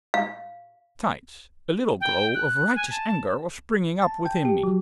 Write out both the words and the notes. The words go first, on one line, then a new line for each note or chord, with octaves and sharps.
Besides, a little glow of righteous anger was springing up within me.
F5
G5
F#6
G#5
A5
A5
G5
G4
F#3